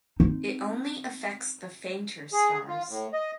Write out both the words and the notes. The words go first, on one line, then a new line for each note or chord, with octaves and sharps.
It only affects the fainter stars.
C4 D#4
G#4
F4
A2
D#5